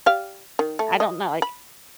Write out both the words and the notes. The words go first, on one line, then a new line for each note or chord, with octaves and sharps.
I don't know, like,
G4 D5 F5
D#3
A3
D#5
B5